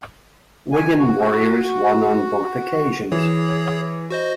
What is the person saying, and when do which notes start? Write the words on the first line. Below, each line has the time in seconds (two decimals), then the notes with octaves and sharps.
Wigan Warriors won on both occasions.
0.72 G#5
0.98 F#4
3.12 E3 G#4 C#5
4.11 F#4 C5 D#5